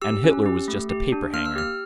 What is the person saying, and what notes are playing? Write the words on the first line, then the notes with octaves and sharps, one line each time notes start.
"And Hitler was just a paper-hanger."
G4 E6
C#4
G4
A3
G4
D4
A#3 F6
E6
G4 F6